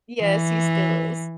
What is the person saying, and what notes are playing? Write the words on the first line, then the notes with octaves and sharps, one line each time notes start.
Yes, he still is.
E3